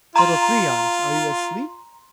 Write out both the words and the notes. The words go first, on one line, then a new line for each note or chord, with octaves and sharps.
'Little Three-eyes, are you asleep?'
F4 A#5 C6